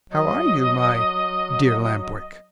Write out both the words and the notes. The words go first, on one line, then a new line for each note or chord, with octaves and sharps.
"How are you, my dear Lamp-Wick?"
F#3 D#5